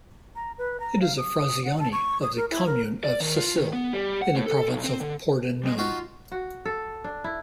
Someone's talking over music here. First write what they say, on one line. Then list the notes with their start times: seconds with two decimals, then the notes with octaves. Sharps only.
It is a "frazione" of the "comune" of Sacile, in the province of Pordenone.
0.36 A#5
0.58 B4
0.80 A#5
1.01 F5
1.17 D#6
1.65 F#5
1.80 A5
1.92 C#6
2.23 D#6
2.37 A#4
2.51 E4
2.66 A#4
3.04 D5
3.20 D#3
3.37 F4
3.56 D#3
3.73 B3
3.93 G3
4.22 F#5
4.35 A2
4.46 A4
4.68 B1
4.84 C4
5.00 D3
5.63 G3 G#3 D#5
5.78 D#4 F4 F#4 G5
6.31 F#4
6.65 A4
7.04 D4
7.24 E4